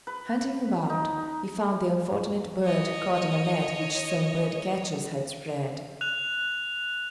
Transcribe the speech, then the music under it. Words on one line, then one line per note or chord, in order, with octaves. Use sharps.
Hunting about, he found the unfortunate bird caught in a net which some birdcatchers had spread.
B4
D#4
C#5 D#5
F#6 F7